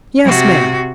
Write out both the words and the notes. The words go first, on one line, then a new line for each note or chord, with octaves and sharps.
"Yes, ma'am."
C3 F#4